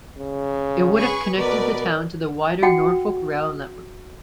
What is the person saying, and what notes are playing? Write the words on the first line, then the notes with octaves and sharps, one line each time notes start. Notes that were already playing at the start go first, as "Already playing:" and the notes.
It would have connected the town to the wider Norfolk rail network.
C#3
G#4 B4 C#6
B2 A#4 B4 D5
F#4 F#5 G5